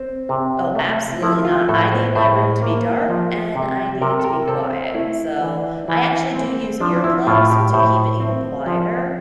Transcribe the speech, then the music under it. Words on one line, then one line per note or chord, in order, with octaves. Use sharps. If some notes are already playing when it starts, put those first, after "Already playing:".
Oh, absolutely not. I need my room to be dark, and I need it to be quiet. So, I actually do use earplugs to keep it even quieter.
Already playing: C4 C5
C3
A3
F3 E4
F4
A2 A4
C5
A2 C5
A#3
F3
C3
C3 A#4
A4
A#4
C4 A4
A3 E4
E3
E3
C4
F3 D4
D4
E4
A2 F4
G4
A2 C5
C4
F3